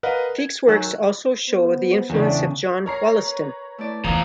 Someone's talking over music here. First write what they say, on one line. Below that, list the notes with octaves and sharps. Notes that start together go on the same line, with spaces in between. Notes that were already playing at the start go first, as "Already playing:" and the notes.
Feke's works also show the influence of John Wollaston.
A#4 B4 D#5 F5 F#5
G#6
D#3 F#3 G#5 E6 F#6
B3 C5
E2 A2 C#3 D4
A#4 C#5 A#5 C7
B4
A3 E4 D5
E2 F3 A#5 D#6